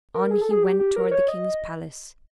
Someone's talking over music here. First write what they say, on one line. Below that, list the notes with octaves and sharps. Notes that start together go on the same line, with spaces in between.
On he went toward the king's palace.
A#4
G#4
A4
G#4
G4
G4
A#4
C#5
D#5